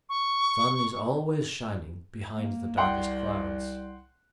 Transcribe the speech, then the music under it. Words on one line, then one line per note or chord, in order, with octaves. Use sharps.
The sun is always shining behind the darkest clouds.
C#6
A#3
C2 F#5 G5 C6